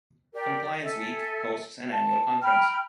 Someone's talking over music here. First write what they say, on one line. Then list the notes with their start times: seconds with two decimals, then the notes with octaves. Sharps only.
"Compliance Week" hosts an annual conference.
0.33 G4 A#4 D5
0.82 A4 E5 G#5
1.91 A5
2.41 G5 A#5 B5 F6